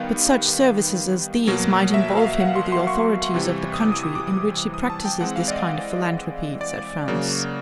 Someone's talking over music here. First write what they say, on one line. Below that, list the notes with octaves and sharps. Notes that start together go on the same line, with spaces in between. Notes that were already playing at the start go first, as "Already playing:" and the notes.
"But such services as these might involve him with the authorities of the country in which he practices this kind of philanthropy," said Franz.
Already playing: D#3 G3 B3 F5
B2 F#3 A#3
E5
F5
F#5
C6
C6
C#6
C3 E3 G3
D#6
D6
D#6
D#6
D6
D#6
D#6
A5
G5
E3 G#3 C4 F#5
F5
D5
D#5
D5
C#3 F#3 A#3